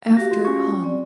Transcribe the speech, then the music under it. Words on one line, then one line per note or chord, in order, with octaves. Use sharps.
After Hon.
F#4 G4 F5 A#6
F4
C#4 C#6
C4 D5